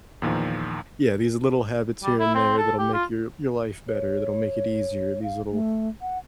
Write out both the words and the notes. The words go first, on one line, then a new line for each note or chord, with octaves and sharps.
yeah, these little habits here and there that'll make your your life better, that'll make it easier, these little
E2 A#2 D#3 F3
G3
E4
C4
A4
G4
F4
C#5
F5
A3
F#5